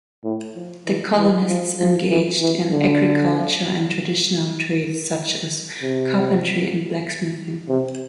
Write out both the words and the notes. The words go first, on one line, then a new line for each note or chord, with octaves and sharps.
The colonists engaged in agriculture and traditional trades such as carpentry and blacksmithing.
A2
F3
E3
E3
F3
F3
E3
E3
D3
C3
C3